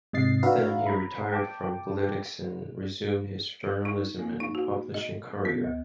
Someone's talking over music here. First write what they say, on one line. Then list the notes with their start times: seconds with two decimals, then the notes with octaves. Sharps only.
Then, he retired from politics and resumed his journalism and publishing career.
0.13 G#2 C3 D#5 A6 C7
0.43 D4 F#4 B4 E5 F5 A#5
0.87 A#5 B5
1.32 G5 A5 D6
3.85 D#4
4.19 A#3
4.40 D#4
4.55 F#4
4.94 D#5
5.45 B3
5.64 D2